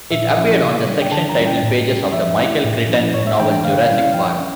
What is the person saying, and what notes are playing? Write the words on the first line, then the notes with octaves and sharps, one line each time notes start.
It appeared on the section title pages of the Michael Crichton novel "Jurassic Park".
A#2 E5
F3 C#4 E4
C#3
G3 D4
G5
D3 A5
A#5
G3 C#4 E4
G5
A2
G3 C#4
F3 E5
A3 E4
A2
F3 C#4 E4
A2 C#5
E5
E3 A3 D4 G5
G5
D3 F5
F5
G3 C#4 E4
F5
F3 G5
C#4